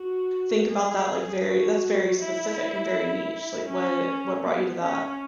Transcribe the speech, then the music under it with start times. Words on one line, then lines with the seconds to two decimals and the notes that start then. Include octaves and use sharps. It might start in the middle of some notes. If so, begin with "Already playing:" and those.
think about that, like, very that's very specific, and very niche, like, what what brought you to that?
Already playing: F#4
0.69 G#4
1.43 F#4
2.19 E4
3.68 C#4
4.44 B3
4.81 C#4